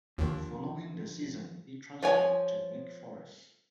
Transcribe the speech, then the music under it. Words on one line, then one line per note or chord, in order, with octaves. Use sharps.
Following the season he transferred to Wake Forest.
D#2 D3 D#3 F3
F3 C#5 G#5